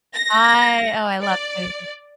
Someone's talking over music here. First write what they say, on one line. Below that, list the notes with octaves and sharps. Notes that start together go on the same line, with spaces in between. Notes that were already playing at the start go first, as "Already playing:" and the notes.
I Oh, I love food.
A#6
D5